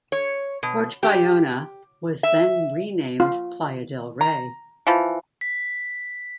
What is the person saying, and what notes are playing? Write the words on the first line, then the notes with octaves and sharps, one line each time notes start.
Port Ballona was then renamed Playa Del Rey.
C#5
B2
G4
E5
F4
A#5
E3 F3
B6